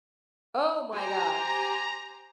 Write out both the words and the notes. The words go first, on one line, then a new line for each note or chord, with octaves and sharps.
Oh my gosh.
G4 C5 G#5 A#5